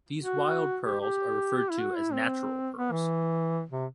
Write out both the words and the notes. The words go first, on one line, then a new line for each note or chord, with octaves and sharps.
These wild pearls are referred to as "natural" pearls.
F#4
G4
G4
E4
F#4
E4
C4
B3
E3
C3